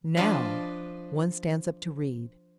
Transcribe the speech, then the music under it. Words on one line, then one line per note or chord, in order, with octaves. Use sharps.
Now One stands up to read.
F3 D4 B4 D5 D#5